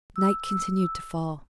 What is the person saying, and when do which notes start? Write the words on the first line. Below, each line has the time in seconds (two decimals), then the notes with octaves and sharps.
Night continued to fall.
0.16 E6